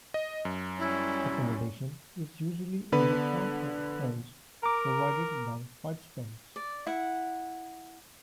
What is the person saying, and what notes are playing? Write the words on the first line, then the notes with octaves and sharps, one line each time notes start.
Accommodation is usually in the form of tents provided by participants.
D#5
F#2
G3 C#4 E4
D3 B3 B4
A#4 A#5 D6
D5
E4 F#5